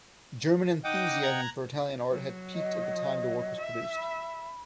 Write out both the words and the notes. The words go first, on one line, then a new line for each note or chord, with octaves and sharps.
German enthusiasm for Italian art had peaked at the time the work was produced.
D#4 D#5 F#5 G5 D6 D#6
A#5 F#6 G#6
F#3
D#5
E5
B5